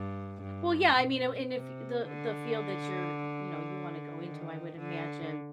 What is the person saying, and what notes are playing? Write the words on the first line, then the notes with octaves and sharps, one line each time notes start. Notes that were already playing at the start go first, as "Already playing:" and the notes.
Well, yeah, I mean it w and if y the the field that you're you know, you wanna go into, I would imagine
Already playing: G2
G2
B2
C3
D3
D#3
D3